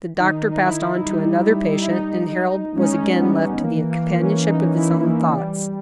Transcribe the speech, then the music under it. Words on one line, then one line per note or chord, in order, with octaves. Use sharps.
The doctor passed on to another patient, and Harold was again left to the companionship of his own thoughts.
D#3 D#4
D#4
E4
G3 D#4
E4
D#4
D#4
G#3 C#4
D#4
C#4
G3 B3
E3 A#3
A#3
C#4
D#4
E4
A#3
G3